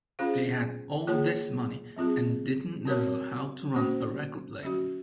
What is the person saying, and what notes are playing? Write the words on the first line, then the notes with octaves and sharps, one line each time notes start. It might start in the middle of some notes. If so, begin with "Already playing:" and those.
They had all this money and didn't know how to run a record label.
C#4 F4 G#4 C5 F5
A#3 F4 G#4 C#5
F#3 C4 F4 G#4
C4 F#4 A#4 C#5
A#3 C#4 F#4 C5
F#3 C#4 F#4